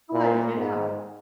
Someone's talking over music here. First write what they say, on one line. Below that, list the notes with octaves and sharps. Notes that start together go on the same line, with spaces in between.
like, "Get out."
A#2
G#2